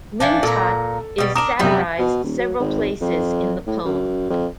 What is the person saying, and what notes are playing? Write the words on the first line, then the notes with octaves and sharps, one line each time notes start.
Lintot is satirised several places in the poem.
E3 F3 D4
A#2 A4 A#5
B2 G3
D4 A#4 D#6 E7
F#2 C3 G3 B3 F#4
B2
D#1
F#3
G#1
F2
A2
F#2
F2